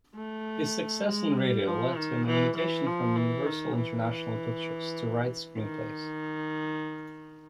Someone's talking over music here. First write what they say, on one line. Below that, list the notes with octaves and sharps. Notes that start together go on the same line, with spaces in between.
His success in radio led to an invitation from Universal-International Pictures to write screenplays.
A3
G#3
G3
F3
D#3
E3
E3
F3
E3
D#3
E3
D#3